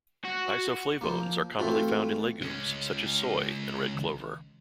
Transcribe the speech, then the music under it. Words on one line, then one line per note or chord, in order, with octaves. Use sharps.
Isoflavones are commonly found in legumes such as soy and red clover.
F#4
F3 A#3
E3 A3 C4 F4 F#4
C#2 C#4